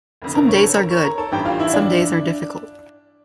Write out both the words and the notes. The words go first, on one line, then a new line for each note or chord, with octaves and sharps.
Some days are good, somedays are difficult.
F1 F2 D3
A#4 A#5
C#5 C#6
A4 A5
A#4 A#5
C#5 C#6
A#4 A#5
A4 A5
A1 G2 E3 G4 G5
F4 F5
E4 E5
D4 D5